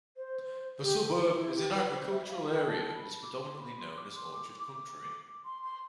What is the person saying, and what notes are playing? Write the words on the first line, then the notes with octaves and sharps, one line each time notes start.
The suburb is an agricultural area and is predominantly known as orchard country.
C5
C5
G4
F4
E4
G4
B4
C5
E5
F5
G5
A5
A5
B5
B5
D6
C6
B5
C6
D6
C6
D6
D6
C6
C6